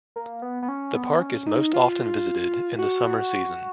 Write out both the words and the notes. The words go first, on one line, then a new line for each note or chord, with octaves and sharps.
The park is most often visited in the summer season.
A#3
B3
B3
C#4
B3
C#4
D#4
F4
F#4